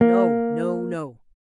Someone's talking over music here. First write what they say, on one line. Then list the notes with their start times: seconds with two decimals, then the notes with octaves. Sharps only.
"No, no, no!"
0.01 A#3